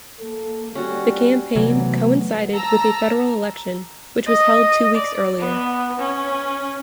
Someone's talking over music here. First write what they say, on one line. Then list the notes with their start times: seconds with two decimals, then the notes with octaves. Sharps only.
The campaign coincided with a federal election, which was held two weeks earlier.
0.19 A#3 A4
0.75 G3 C#4 F#4
1.56 C3 E3 F#3 A3 B3
2.54 A5 A#5 E6
4.27 D#5
4.95 D5
5.39 B3
5.99 C#4